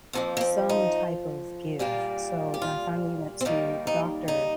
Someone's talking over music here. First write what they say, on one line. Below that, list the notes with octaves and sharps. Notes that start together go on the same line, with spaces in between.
some type of give. So, you know, I finally went to the doctor,
F2 F3 A#3 C4
A#3
C4
D#4
A#2 G3 A#3 F4
G4
F4
C4
D#2 D#3 G3 A#3 D#4
D#4
D#4